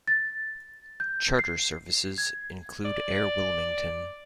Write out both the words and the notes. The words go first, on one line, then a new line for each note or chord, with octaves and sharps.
Charter services include Air Wilmington.
A6
G6
C7
G#6
D5